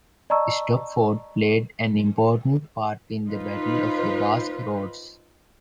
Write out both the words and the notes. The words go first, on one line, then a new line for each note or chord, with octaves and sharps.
Stopford played an important part in the Battle of the Basque Roads.
D5 D#5 A5 A#5 C#6 E6
D#4 F4 B4 C5